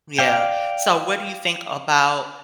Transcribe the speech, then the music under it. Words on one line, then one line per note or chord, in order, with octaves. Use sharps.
Yeah. So, what do you think about,
D5 F5 G5